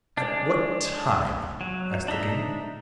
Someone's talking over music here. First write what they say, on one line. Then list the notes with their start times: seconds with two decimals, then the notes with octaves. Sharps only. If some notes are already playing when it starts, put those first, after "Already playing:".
"At what time?" asked the king.
0.17 G#3 D4
1.61 F#3
2.08 D4 D#4 E5 A#5